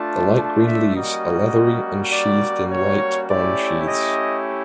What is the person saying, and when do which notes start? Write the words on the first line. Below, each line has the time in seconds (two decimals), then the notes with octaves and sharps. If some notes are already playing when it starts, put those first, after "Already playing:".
The light green leaves are leathery and sheathed in light brown sheathes.
Already playing: A3 D4 F4 A5
0.37 A5
0.66 E5
0.95 G3 A#3 C#4 F#4 D#5
2.11 D5
2.70 C#5
3.28 A3 C#4 E4 G4 D5
3.86 D#5